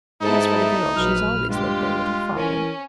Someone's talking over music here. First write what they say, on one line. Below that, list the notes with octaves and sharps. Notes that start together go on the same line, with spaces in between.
As for the girl, she's always lived there with her father.
G#2 B3 D#4 E4 A4
A#1 F#3 B4 F6
G2 G#3 F4 G4
E3 C#4 A#4